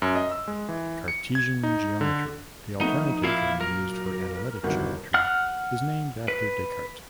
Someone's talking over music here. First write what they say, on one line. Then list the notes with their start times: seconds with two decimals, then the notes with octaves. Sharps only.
"Cartesian geometry", the alternative term used for analytic geometry, is named after Descartes.
0.02 F#2
0.15 D#5
0.31 E6
0.48 G#3
0.69 E3
1.08 C#7
1.35 G#6
1.63 D#4
2.01 D3
2.81 F3 A3 B3 D#4
3.23 A#2 E4 F4 F5
3.61 F#3 A#4
4.63 G1 C2 D#3 F#4
5.14 F#5 F6 F#6
6.28 B4